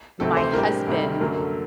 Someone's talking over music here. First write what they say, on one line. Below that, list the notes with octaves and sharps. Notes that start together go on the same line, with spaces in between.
my husband
D2 C3 D#3 A3 C4 A4
C5
A2 G3 D4 G4 A#4
D2 C3 D#3 G3 A4
F#2 D3 F#3 A#3 A#4
A4